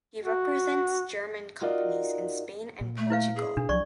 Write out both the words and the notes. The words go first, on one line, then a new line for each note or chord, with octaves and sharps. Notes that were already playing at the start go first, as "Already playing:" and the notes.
He represents German companies in Spain and Portugal.
F#4
D#4 F4 F#4 A#4 D5 D#5
A#2
A3
E4 B4 F5
G#4
B2 D4
C2 F3 F#3 D5 C#6